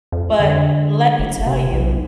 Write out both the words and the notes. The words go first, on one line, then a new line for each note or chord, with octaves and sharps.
but let me tell you,
F2
D3
F#1
C3
B1